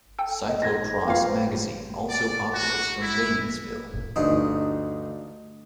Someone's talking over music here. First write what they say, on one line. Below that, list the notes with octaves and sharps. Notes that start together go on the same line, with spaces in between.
Cyclocross Magazine also operates from Breinigsville.
A4 G5
D#5
G#6 A#6
A#3 F4 B4 C5 F5 G5
D5
F#4
E4
D2 G2 D#4